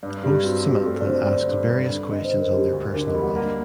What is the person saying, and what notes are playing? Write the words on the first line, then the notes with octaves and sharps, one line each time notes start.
Host Samantha asks various questions on their personal life.
G2 D5
G2 G4
C4 F#4
C4 G4
A3 A4
D5
D3 C5
C4
G2
G3
D3
D3 D#5
C5
D3
A#4
D3 G4
D2
D3 A#4
D#5
G3
F#5
A#3 F#5